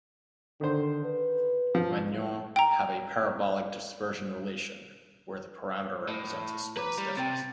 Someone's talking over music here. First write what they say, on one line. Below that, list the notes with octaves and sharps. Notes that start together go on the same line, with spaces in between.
Magnons have a parabolic dispersion relation: where the parameter represents a spin stiffness.
D3 D#3 C5
B4
F3
G5 A#5
A2
B4 A#5 D6
G3
C3 C4 G5 A6